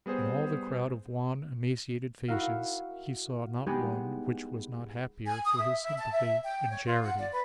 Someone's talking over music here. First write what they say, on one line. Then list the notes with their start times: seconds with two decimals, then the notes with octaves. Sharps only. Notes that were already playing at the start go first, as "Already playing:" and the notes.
In all the crowd of wan, emaciated faces, he saw not one which was not happier for his sympathy and charity.
0.06 G3 B3 G#4 C5
2.28 E4 F#4 A#4 E5 F5
3.66 G3 G#3 B3 D#4 G4 G#4
5.26 G#5
5.45 D#6
5.58 E5
5.81 E5
5.97 A5
6.11 E5
6.44 G5
6.70 C#5
6.85 F4
7.02 F#5
7.17 D5
7.31 B4